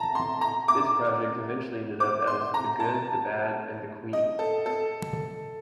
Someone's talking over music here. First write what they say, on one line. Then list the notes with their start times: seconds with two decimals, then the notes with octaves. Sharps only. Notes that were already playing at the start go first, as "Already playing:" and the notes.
This project eventually ended up as The Good, the Bad and the Queen.
Already playing: A5 A#5
0.15 C6
0.41 A#5
0.68 D6
2.00 D6
2.27 C6
2.54 A#5
2.80 A5
4.13 D#5
4.39 A4
4.66 A4